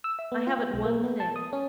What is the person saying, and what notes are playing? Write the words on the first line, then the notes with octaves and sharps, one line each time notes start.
I haven't one thing.
E6
E5
B3
F4
B3
B1
A#3
B3
A5
D#6
C#4